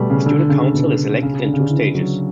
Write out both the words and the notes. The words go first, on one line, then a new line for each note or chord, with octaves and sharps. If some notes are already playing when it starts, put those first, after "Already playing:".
The Student Council is elected in two stages.
Already playing: B2 G3 A3 B3
C#3
D3
C#3
B2
C#3
D3
C#3
D3
E3
F#3